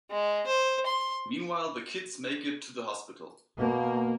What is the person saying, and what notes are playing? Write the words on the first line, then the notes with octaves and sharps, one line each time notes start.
Meanwhile, the kids make it to the hospital.
G#3
C5
C6
B2 A#3